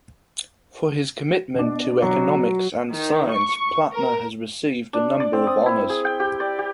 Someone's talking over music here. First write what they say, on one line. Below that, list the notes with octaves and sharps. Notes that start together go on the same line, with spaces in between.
For his commitment to economics and science, Plattner has received a number of honours.
B2 D4
F#3
D#3
C#6
A#4
D4
D5
C4
D#6
E4
G#4
G5
G4
D5
G4